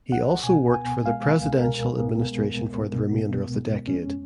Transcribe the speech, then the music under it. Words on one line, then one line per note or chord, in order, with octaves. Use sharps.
He also worked for the presidential administration for the remainder of the decade.
C#2 F#5
B2 G#5
B3 G#5
G#3 F5
C#2
A#4
B2
B3
G#3
C#2
B2
B3
G#3
F2 C#4